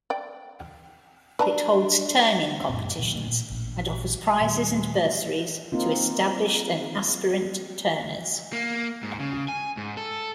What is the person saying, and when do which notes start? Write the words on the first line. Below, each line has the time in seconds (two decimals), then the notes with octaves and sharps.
It holds turning competitions, and offers prizes and bursaries to established and aspirant turners.
0.10 D5 G5
1.39 D4 B4 A5 A#5
2.69 F#2 A#2
2.99 A#2 D#3 F3 F#3
3.27 A#2
3.50 A1 A#2
4.41 A#2 D#3 G3
5.72 A#3 C4 D#4 F4
8.53 A#3
9.03 G#2
9.20 C#3
9.48 G#5
9.77 G#2
9.97 A4